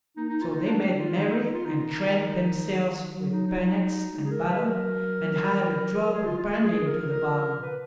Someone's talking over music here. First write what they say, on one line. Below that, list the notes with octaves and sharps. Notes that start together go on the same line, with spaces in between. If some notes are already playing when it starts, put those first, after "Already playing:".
So they made merry, and crammed themselves with bannocks and butter, and had a drop of brandy into the bargain.
A#3 D#4
D#4
F4
D#4
G#3 D4
F4
D#3 D#4
D#4
F4
D#3 D#4
F#3
D#4
D#4
F4
D#4
G#3 D#4
G#4
A#4
B4
F#3 A#4
A#4
G#4
F4
F4
F3 G#4
A#4
A#4
B4